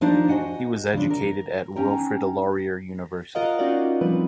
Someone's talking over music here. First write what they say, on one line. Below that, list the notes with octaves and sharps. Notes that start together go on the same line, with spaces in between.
He was educated at Wilfrid Laurier University.
F3 D4 D#4 A#4 C5 D5
F#4 D#5 F#5 G#5
C#3 F3 C4 D4
A#4
C#4 D#4 G5 A#5
F4 A#4 D#5 F5 F#5
C#4 D#4 F4 F#4 D5 D#5
F3 G3 C4 B4